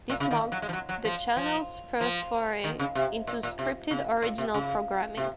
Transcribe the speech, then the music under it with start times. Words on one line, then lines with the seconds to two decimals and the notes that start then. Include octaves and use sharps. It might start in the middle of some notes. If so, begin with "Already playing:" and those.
This marked the channel's first foray into scripted original programming.
0.10 A#2
0.20 C#3
0.31 D#3
0.52 F#3
0.62 G#3
0.69 F3
0.73 F#3
0.89 F#3
1.05 F3
1.37 F3
2.00 F3
2.64 D#3
2.79 C#3
2.95 C3
3.27 A#2
3.43 A#2
3.59 C3
3.91 C#3
4.22 A#2
4.38 C3
4.54 C#3
5.17 C3